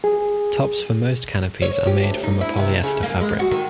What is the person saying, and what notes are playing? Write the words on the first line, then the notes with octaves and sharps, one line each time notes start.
Tops for most canopies are made from a polyester fabric.
G#4
C#5
G4
D2
D#4
E4
C3
C#3
A#3
G#3
F#4
D#3